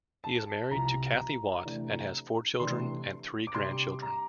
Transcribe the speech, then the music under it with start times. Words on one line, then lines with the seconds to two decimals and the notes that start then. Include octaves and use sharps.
He is married to Cathy Watt, and has four children, and three grandchildren.
0.24 A5
0.71 C2 C3 F3 A#5
1.65 C3 E3 A3 D4
2.60 C3 E3 A3 D4 C6
3.47 D6
3.55 C3 G3 D4 C6
4.02 A#5